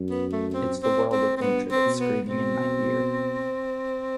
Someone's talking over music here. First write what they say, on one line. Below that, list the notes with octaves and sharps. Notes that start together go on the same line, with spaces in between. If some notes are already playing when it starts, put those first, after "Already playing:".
It’s the world of nature that’s screaming in my ear.
Already playing: F#2
B3
A3
C4
C4
C4
C4
G2 B3
C4
B2
B3
B2 C4